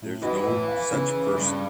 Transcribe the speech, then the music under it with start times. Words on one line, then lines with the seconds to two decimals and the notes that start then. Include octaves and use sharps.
There's no such person.
0.02 A2
0.23 D#4 E4 F#4 B4 D#5
0.47 A2
0.68 F5
0.93 C#3
1.36 G2